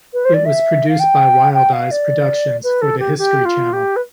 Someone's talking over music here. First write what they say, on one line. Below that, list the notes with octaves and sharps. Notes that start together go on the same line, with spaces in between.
It was produced by Wild Eyes Productions for The History Channel.
B4
C5
D5
E5
F5
G5
G5
F5
D5
B4
A4
G4
G4
F4
G4
B4